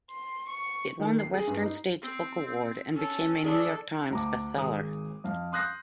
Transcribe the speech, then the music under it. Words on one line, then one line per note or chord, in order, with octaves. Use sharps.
It won the Western States Book Award and became a "New York Times" bestseller.
C6
C#6
D#3
C7
G#4
G2
D#4
C4
C#4 A4
F3 D4 G#4 A4
D2 A#5 D6
G#1 G#4 D#6
F2 F5
C6 D#6 F#6 G6 A#6 C7